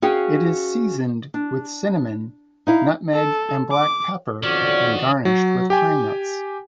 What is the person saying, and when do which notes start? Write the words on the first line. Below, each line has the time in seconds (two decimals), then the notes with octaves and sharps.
It is seasoned with cinnamon, nutmeg, and black pepper and garnished with pine nuts.
0.02 C#4 F#4 G#4 F5 G5
1.34 D4
2.67 D#4 E4 F5
3.14 A4
3.71 D6
4.43 B1 F2 D#3 C#4 F#4 D5
5.25 F#3
5.70 G4 G5 G#5